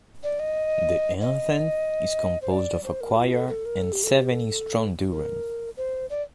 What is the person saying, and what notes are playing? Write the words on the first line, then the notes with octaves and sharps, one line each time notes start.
The anthem is composed of a choir and seven stroonduran.
D5
D#5
D#5
C5
D5
C5
A#4
F4
A4
A4
A#4
A4
G4
A4
G4
A4
A#4
C5
D5